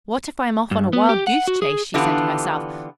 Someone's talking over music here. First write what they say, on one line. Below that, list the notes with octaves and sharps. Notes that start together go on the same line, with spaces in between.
"What if I am off on a wild-goose chase?" she said to herself.
G2
B3
G4
F#5
F#4
G#4
D3 E3 B3 D4 F4 G4